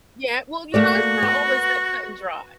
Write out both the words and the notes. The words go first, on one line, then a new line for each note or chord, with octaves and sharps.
Yeah, well, you know, it's not always that cut-and-dry.
A3 A#3 F#4 D5
B3